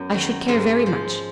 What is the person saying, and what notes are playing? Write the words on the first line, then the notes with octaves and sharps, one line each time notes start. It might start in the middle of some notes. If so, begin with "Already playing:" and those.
I should care very much.
Already playing: F#2 B3 C#4
D#3 F#3
G#2 G#3
F3